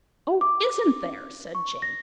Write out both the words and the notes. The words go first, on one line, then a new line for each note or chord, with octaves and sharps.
'Oh, isn't there!' said Jane.
D6
C#6
A#6